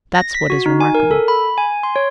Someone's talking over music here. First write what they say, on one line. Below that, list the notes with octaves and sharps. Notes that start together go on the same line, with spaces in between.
That's what is remarkable.
A#6
B6
F#4
D#4
G#5
A#4
A4
B5
G#5
C6
C#5